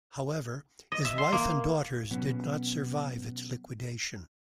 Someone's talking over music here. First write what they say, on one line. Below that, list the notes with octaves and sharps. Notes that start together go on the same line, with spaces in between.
However, his wife and daughters did not survive its liquidation.
D#5
E5
C6
A#3
B2 F#3 B3 C#4